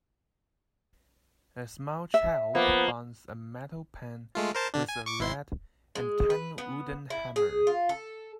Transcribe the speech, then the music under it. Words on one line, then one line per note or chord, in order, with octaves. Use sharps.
A small child bangs a metal pan with a red and tan wooden hammer.
E5
F3 A#3 B3
G#3 A3 F4
A#4 C5 A5
D3 D4
G#5
C#6 D6
G#1 E4 C6
G#3
B4
B3
E4
G#4
F4
A4